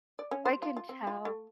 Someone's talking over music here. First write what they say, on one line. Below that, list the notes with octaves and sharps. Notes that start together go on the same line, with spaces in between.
I can tell.
D5
C#4
C5
F4
F4
C4
F4
A3